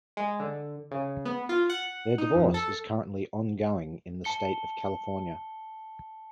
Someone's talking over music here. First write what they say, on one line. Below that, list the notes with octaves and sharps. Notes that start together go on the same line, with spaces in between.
Their divorce is currently ongoing in the state of California.
G#3
D3
C#3
B3
F4
F#5
D#4
F2
A4
A5 C#7 G7